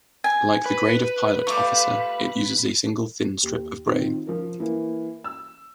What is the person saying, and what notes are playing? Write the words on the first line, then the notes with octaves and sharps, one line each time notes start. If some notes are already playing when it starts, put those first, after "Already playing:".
Like the grade of pilot officer, it uses a single thin strip of braid.
G#5
B4
G3 A3 F4 C#6 D6
D#2
D#3 C4 D#4 F4
F3 A#4
E3 A#3
E6